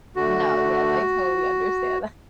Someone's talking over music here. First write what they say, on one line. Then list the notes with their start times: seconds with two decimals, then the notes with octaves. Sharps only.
No, yes, I totally understand that.
0.16 D3 A3 F#4